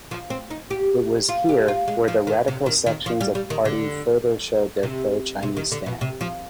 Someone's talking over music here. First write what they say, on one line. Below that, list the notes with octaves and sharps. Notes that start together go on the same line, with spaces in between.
It was here where the radical sections of party further showed their pro-Chinese stand.
F3
C4
D#4
G4
F4
G4
F4
G#3
F3
D#3
C3
D#3
D#3
F3
G3
G3
D#3
D3
C3
C3
D#3
D3
B2
C3
F3